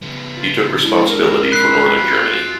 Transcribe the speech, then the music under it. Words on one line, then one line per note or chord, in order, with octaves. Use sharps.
He took responsibility for Northern Germany.
C#3 B3
F4
G#3 D4 E4
A#4
B5 F#6 C7
F4 F#4 G#5